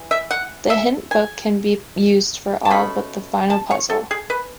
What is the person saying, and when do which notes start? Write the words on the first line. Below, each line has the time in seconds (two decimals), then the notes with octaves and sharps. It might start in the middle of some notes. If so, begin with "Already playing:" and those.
The hint book can be used for all but the final puzzle.
Already playing: E3
0.11 E5
0.31 F#5
0.70 E5
1.11 G#5
2.65 A5
2.70 B2 A3 C#4 B5
3.50 A5
3.71 C#5
3.90 A4
4.11 G#4
4.30 B4